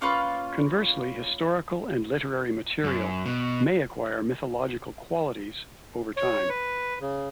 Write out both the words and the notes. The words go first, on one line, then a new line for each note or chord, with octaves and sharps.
Conversely, historical and literary material may acquire mythological qualities over time.
A#3 C#4 F4 B4
F#2
B2
C#5
B4
C#3